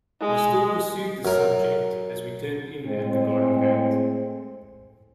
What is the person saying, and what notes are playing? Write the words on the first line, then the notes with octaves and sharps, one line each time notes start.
He still pursued this subject as we turned in at the garden-gate.
G#3
F#2 A#4
A2 G#3 C4